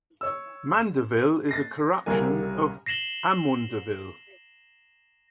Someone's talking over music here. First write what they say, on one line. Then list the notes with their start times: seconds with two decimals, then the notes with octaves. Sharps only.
"Mandeville" is a corruption of "Amundeville".
0.21 C#5 E6
0.74 E7
1.49 A6 A#6 C7
2.06 C2 C#3 G3 A#4 G#5
2.86 A#6 C7 E7 F#7 G7